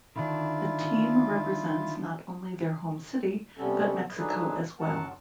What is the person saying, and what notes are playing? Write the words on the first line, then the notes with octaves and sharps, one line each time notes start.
The team represents not only their home city, but Mexico as well.
D3 D#3 D4 E4 F4
C3 G3 B3 C#4 A4
F#3 D4 D#4 G#4 A4 B4
F#2 F#3 A#4 F#5 A5